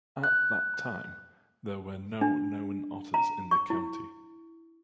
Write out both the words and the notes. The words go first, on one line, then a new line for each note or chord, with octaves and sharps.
At that time, there were no known otters in the county.
F#6
D4
A#5
C#6
E4